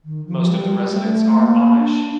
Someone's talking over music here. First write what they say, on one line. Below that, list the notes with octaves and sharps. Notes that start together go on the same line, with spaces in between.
Most of the residents are Amish.
D#3
F3
G3
G3
A3
A#3
D4